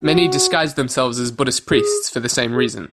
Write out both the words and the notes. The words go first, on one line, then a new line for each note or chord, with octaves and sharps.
Many disguised themselves as Buddhist priests for the same reason.
F#4
G#4
G#4